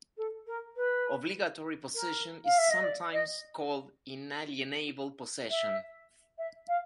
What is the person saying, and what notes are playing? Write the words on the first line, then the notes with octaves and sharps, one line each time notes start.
Obligatory possession is sometimes called inalienable possession.
A4
A#4
B4
A#4
F5
E5
D#5
D5
D#5
E5
E5
F5